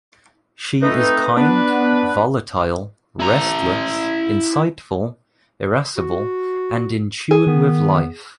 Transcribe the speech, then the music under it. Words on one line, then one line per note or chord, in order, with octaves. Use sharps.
She is kind, volatile, restless, insightful, irascible and in tune with life.
A3 C4 D#4 B4
B3 D4 B4
E4 A#5
F#4
G#4
D#3 B3